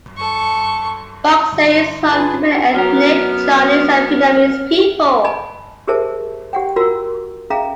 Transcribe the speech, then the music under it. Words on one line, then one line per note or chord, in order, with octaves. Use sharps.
Pakse is home to many ethnic Chinese and Vietnamese people.
A4 C#6
G2 D3 E3
F4 G#4 B4
F#3 B3 C#4 A#4 F6
D#5 G#5 A5 B5
G4 G#4 A#4 C5 E5 A5
G4 F#5 G5
F4 F#4 A#4 A#5 E6
C#4 G#4 E5 F5 G5 A#5